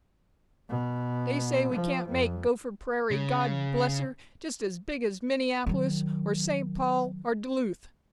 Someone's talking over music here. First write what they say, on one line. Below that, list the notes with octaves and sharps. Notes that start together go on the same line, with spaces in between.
They say we can't make Gopher Prairie, God bless her! just as big as Minneapolis or St. Paul or Duluth.
B2
F3
F2
C#3
D#3 F#3